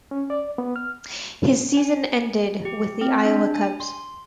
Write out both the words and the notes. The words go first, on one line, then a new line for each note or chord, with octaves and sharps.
His season ended with the Iowa Cubs.
C#4
D5
B3
F6
G#5
G4
C4
D4
G#5
C6